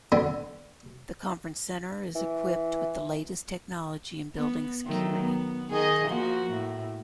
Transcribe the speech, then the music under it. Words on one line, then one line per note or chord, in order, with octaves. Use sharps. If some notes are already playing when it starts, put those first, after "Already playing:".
The Conference Centre is equipped with the latest technology in Building security.
D3 B3 C4 D4
E3
B3
D#3 F#3 A3
B3
D#3 G#4 D#5
F3 A#3 F#4
A2